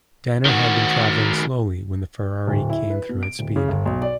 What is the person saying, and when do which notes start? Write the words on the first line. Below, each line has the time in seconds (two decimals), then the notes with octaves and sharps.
Danner had been travelling slowly when the Ferrari came through at speed.
0.45 D#3 F#4
2.47 D1
2.70 E4
2.90 B4
3.09 B2
3.23 D7
3.39 D1
3.56 C#3
3.68 G1
3.86 B1
4.02 D5